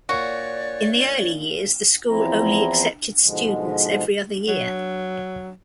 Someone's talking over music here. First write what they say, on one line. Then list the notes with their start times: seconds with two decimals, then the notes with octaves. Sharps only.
In the early years, the school only accepted students every other year.
0.09 A#2 F#4 C#5 D5
2.09 E2 F3 C4 E4 A#5
3.24 G#2 B2 D3 F3 G#3
4.48 F#3